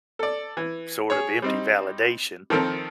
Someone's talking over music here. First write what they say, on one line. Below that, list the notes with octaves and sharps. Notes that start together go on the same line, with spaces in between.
sort of empty validation
A4 D5
E3
G#4 C#5
G3 C4 D#4
D#3 F3 C4 A4 A#4